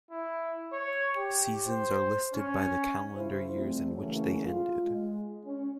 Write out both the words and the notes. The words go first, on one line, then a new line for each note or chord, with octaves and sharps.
Seasons are listed by the calendar years in which they ended.
E4
C#5
G4
C5
C#4
C#3 E4 F4 C5
C3 F3 G3 A3 C4
C#3 E3 F#3 A3 A#3 C#4
F4
G#3
C#4